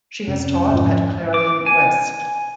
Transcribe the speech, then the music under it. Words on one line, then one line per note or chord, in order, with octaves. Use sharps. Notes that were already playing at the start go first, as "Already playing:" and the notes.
She has taught at Clarion West.
F2 C3 C#4
G#2 F3
D6
G#5